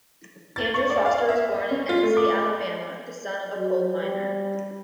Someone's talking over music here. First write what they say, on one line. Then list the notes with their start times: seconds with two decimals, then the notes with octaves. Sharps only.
Andrew Foster was born in Ensley, Alabama, the son of a coal miner.
0.56 A6
0.74 C#6
0.90 D5
1.06 F5
1.29 E5
1.52 D#5
1.71 C#4
1.89 F4
2.03 A3
2.17 D6
3.57 F#3
4.00 G3